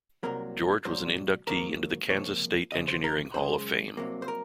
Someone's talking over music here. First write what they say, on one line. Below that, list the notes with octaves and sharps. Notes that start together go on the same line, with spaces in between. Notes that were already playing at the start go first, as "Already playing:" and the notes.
George was an inductee into the Kansas State Engineering Hall of Fame.
C2 C3 F#3 A#3 A#4
C2 A#2 F#3 C5
G#2 D#3 F#3 A#3 A#4
C#2 C3 F3 A#3 C#5
D#2 C#3 F3 D#5
C5
A#4
F#2 C#3 G#3 C5
C2 C3 F#3 A#3
C5
A#4